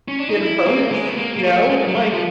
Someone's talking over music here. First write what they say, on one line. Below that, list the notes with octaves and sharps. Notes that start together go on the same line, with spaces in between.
get a bonus, you know, like
C#4
D4
D#4
E4
A#3
G#3
B3
A#3
A#3
A3
G#3
F#3
G3
F3